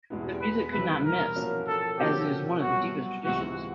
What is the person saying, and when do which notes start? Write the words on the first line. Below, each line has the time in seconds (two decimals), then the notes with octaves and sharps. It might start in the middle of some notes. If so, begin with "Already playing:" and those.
The music could not miss as it is one of the deepest traditions.
0.10 E2 B2 G#3 B3 E4
0.41 B4
0.72 C2 C3 E3 B4
1.05 A#4
1.36 F3 A#3 C#4 F#4
1.68 A4
1.98 C3 F3 A#3 C#4 F#4 G4
2.62 C2 B2 F#3 F#4
3.25 C#2 C3 E3 G#3 F#4